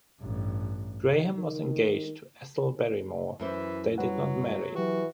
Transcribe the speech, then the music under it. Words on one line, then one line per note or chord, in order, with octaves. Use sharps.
Graham was engaged to Ethel Barrymore, but they did not marry.
A1 G2
D#3
F#2 E3 E4 C5
F#3 G3 B4 F#5
E3 F#3 F#4 G4